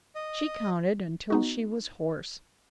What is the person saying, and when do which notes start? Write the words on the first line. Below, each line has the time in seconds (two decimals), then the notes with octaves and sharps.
She counted until she was hoarse.
0.15 D#5
1.30 B3 D#4 F#4